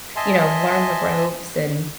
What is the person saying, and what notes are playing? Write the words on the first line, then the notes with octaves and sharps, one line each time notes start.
you know, learn the ropes and
D#5 E5 G#5 A5 C6